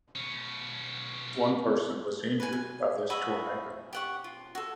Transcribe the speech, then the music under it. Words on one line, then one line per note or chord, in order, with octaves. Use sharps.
One person was injured by this tornado.
B2 C#4
B4 G#5
G#5
F#4 G#4 E5 B5
G4 F#5 C#6
F4
F#4 A4